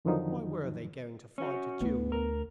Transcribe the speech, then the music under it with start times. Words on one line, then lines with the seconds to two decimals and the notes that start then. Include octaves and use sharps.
Why were they going to fight a duel?
0.05 F2 D3 D#3 F3 F#3 D#4
1.38 C#4 F#4
1.81 D2 B3
2.12 A#4